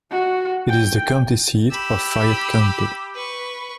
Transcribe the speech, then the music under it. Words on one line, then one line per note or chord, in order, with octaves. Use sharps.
It is the county seat of Fayette County.
F#4
G5
G4 B5 E6
B4 C#6